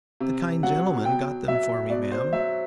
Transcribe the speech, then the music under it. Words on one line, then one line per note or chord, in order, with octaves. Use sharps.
"The kind gentleman got them for me, ma'am."
C3
F#3 F#5
B2 G5
F#3 E5
B2 D5
C5
F#3 E5